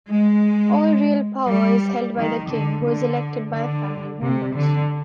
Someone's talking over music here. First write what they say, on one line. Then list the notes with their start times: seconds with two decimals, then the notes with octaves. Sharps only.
All real power is held by the King, who is elected by family members.
0.10 G#3
1.47 G3
2.16 D#3
2.50 D3
2.84 D3
3.53 D3
4.22 C3
4.55 D3